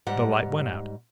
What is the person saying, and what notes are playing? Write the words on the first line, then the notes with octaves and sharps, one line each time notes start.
The light went out.
G#2 G3 F#5